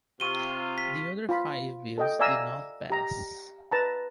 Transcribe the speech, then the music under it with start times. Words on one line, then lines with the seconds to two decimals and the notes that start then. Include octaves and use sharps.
The other five bills did not pass.
0.20 C3 F4 C#6 D#7 G7
0.78 B6
1.29 F4 B5
1.98 A4 D#5 G5
2.19 D5 E5 F5 G#5 A#5 E6
2.90 G4 A#5
3.71 B4 A5 A#5